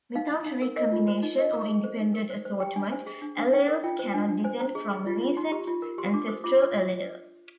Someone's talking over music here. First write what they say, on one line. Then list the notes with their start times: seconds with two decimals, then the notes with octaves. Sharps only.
Without recombination or independent assortment alleles cannot descend from a recent ancestral allele.
0.15 D#4 F5
0.30 D#4
0.46 D#4
0.62 A#4
0.76 A#4 D#5
0.92 F4
1.08 C5
1.23 D#4
1.38 A#4 D#5
1.53 A#4
1.68 G#4
1.84 C5
2.00 D#4
2.14 A#4
2.30 C5
2.45 C5
2.60 G4 G5
2.76 D4 G#5
2.91 C5 G#5
3.07 G#4
3.22 D4
3.37 D4
3.52 D#4 G5
3.68 A#4
3.83 F4 G5
3.99 C5
4.14 D4 G#5
4.29 D4
4.44 C5 G#5
4.60 C5 A#5
4.75 G#4
4.91 G#4
5.06 F4
5.21 F4
5.37 D#4 C6
5.52 G4
5.67 F4
5.82 A#4
5.98 G4 C6
6.14 D4 D6
6.28 C5 D#6
6.44 F4 D6